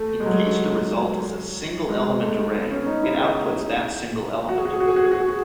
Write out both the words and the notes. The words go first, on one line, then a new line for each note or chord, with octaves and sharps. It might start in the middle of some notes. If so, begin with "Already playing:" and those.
In case the result is a single-element array, it outputs that single element.
Already playing: A3
G#3
F#3
G#3
A3
B3
C#4
C#4
D#4
E4
G#4
F#4
G#4
F#4
G#4
F#4
G#4
F#4
G#4
F#4
G#4
F#4